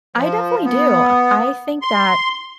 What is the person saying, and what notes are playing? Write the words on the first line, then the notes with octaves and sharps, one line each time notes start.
I definitely do. I think that,
F3
B3
C6